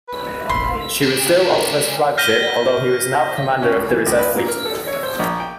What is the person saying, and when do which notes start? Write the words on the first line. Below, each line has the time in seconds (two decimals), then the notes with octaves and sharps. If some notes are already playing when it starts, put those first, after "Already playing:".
She was still Oliver's flagship, although he was now commander of the Reserve Fleet.
0.08 B4
0.49 F1 A#1 B5 C6
1.03 C#2 D4
2.18 F6 G6 A#6 B6 D#7 G7
3.62 C#4
3.76 C#2
3.89 E3
4.06 C#2
4.19 B4
4.36 A#2
4.48 A#4
4.65 A4
4.87 C#5
5.03 C5
5.19 A#1
5.40 G5